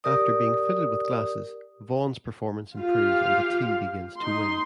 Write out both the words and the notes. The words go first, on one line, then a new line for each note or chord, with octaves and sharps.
After being fitted with glasses, Vaughn's performance improves and the team begins to win.
G4 A#4 D5 D#6
F4 G4 F5
D#4 C6